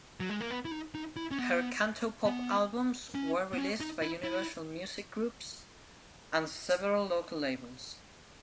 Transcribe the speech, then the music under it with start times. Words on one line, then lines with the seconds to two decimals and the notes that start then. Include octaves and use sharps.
Her Cantopop albums were released by Universal Music Group and several local labels.
0.20 F#3
0.29 G#3
0.41 A#3
0.51 B3
0.65 E4
0.71 D#4
0.95 D#4
1.16 E4
1.31 C#4
1.39 B3
2.26 B3
3.15 C#4
3.53 B3
3.58 C#4
3.80 D#4
4.02 E4
4.24 E4